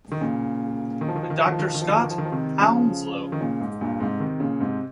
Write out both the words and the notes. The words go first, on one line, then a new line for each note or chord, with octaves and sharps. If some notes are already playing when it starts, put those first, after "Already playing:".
Doctor Scott, Hounslow.
D#3
A#2 C#3
D#3
F3
D#3
F3
D#3
F3
D#3
F3
D#3
F3
D#3
F3
D#3
F3
D#3
F3
D#3
F3
C3 D#3
C#3 F3
D#3
A#2 C#3
G#2
G2 A#2
G#2 C3
C3 D#3
A#2 C#3
G#2 C3